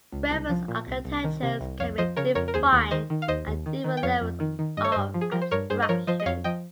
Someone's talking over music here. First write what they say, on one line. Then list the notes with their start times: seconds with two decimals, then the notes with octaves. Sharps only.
Reference architectures can be defined at different levels of abstraction.
0.12 C#2
0.31 C2
0.49 F3
0.68 A#2
0.87 C2
1.05 C2
1.24 D#3
1.43 C3
1.61 C2
1.80 F2 C#5 F5
1.98 F3 C5 D#5
2.17 C#3 A#4 C#5
2.35 F2 A#4 C#5
2.48 A#4
2.54 D#2 G#4 C5
2.73 D#2
2.91 D#3 C5 D#5
3.10 D#3
3.22 F5
3.28 D#2 C5 D#5
3.48 D#2
3.66 D#3
3.84 D#3
3.97 G5
4.03 F2 C#5 F5
4.21 F2
4.40 D#3
4.59 D#3
4.77 G2 D#5
4.84 C#5
4.92 G2 C5 D#5
5.14 F3
5.21 G#4
5.32 F3 A#4
5.42 C5
5.51 G2 A#4 C#5
5.70 G2 G#4 C5
5.82 D#5
5.89 F3 A#4 C#5
6.07 F3 C5 D#5
6.20 D#5
6.26 F2 C#5 F5
6.44 F3 D#5 G5